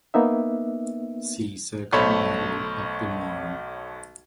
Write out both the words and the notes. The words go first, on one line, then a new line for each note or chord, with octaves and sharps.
See Second Battle of the Marne.
A#3 B3 D#4 E5
B1 A3 C5 C#5 B5